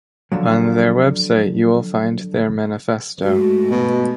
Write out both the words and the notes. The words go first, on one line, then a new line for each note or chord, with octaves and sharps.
On their website you will find their manifesto.
D3 F3 F#3
G#2 G#3 A3 F#4
B2